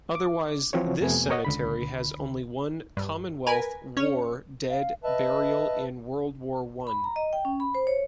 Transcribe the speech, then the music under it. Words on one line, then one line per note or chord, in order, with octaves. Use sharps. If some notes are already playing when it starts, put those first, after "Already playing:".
Otherwise, this cemetery has only one Commonwealth War Dead burial in World War One.
D6
E3 F3 C4 F#4 C#5
F2 C3 A3 B3 G#5
A#4 C#5 D#5 F#5
C#2 D3 B5
G2
A#4 B4 G#5
C#4 C#5
F5
B4 D#5 E5 A5
B5
A#5
D#5
G5
C#4
B5
C5
C#5